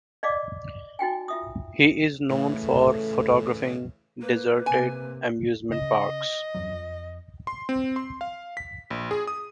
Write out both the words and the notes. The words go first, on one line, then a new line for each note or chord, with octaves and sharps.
He is known for photographing deserted amusement parks.
D5 D#5 F5 D6
D#4 F#4 G5 G#5
F4 E5 D#6
A2 C#3 E3 A3
A#3 B4
C3 A#3 G#5
C#3 D#5
E2 G2 F#3
F2
C6
C4
C6
F5
B6
A#1
G#4
D#6